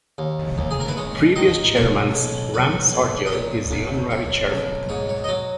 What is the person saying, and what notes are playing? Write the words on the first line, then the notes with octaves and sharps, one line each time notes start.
Previous chairman Ram Sardjoe is the honorary chairman.
D#2
D#2
G#4
A#4
B4
G#3 C#5
D#3 D#5
B1 C#5
B1
B1 B4
B1
D#5
A#2 C#5
B1
B1 C#5
B1
G#2 C#5
C#5
D#5
F#3 C#5